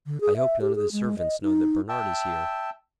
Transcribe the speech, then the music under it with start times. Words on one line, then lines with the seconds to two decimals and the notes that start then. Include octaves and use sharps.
"I hope none of the servants know that Bernard is here?"
0.06 D3
0.21 G#4
0.37 E5
0.61 G4
0.75 G#4
0.92 G#3
1.19 D#5
1.42 D#4
1.89 E5 G5 A5